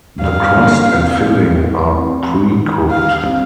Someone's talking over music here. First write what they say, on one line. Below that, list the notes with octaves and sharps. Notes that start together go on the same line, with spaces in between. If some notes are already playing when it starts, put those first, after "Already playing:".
The crust and filling are pre-cooked.
G2 F5
D3 F3 A#3
C3
F3 C4
F3
A3 C4
F2
D#3 G3
D3 F5
G3 C4